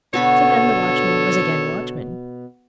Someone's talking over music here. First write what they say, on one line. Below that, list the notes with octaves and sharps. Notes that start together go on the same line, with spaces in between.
So then the watchman was again watchman.
B2 D3 F#4 A4 C#5 B5